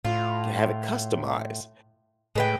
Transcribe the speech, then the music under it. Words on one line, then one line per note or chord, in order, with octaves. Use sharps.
ge have it customized.
A2 F4
A2 G#3 B4 G5